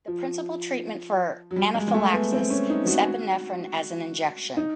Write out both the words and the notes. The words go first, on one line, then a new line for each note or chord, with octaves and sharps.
The principal treatment for anaphylaxis is epinephrine as an injection.
F3
F#3
G3
G#3
G#3
A3
B3
C4
C#4
D#4
F#4
D#4